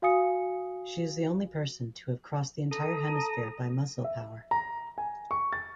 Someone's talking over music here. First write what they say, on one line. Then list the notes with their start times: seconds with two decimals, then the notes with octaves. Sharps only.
She is the only person to have crossed the entire hemisphere by muscle power.
0.02 F#4 F5 G#5 D#6 C#7
2.71 A4 A#5 D#6
4.04 E5
4.51 A#5
4.98 G#5
5.31 C#6
5.53 A6